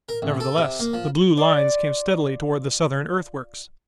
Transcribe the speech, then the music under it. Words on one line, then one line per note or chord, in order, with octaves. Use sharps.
Nevertheless the blue lines came steadily toward the Southern earthworks.
A#4
A1
A4
C3
A#3
F3
F4 D5